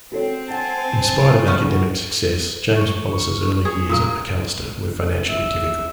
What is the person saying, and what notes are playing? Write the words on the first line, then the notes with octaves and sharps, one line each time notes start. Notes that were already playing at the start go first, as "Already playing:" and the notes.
In spite of academic success, James Wallace's early years at Macalester were financially difficult.
C4 F#4 A4 C#5
C5 F#5 G#5 A5
C#3 B3 C#4
C#6
G#4 C#5
A#2 A#3 D#6
E5